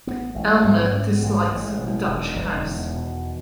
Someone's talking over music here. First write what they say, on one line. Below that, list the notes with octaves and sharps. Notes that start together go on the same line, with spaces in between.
Elna dislikes the Dutch House.
A1 B3
A1 A3
G#2 B3
G#2 C#4
B3
A1 G#3
A3
A1
G#3
B2 E3
E1 D#3
E1 D#3
E2
B2